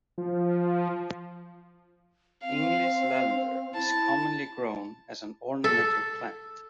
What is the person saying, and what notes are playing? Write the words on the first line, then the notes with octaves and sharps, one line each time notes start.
English lavender is commonly grown as an ornamental plant.
F3
C4 F5
E4 A5
A4